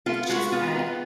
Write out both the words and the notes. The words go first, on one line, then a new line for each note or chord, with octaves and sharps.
It's just bad.
B3 F4
G#3 F#4
B3 F4
B3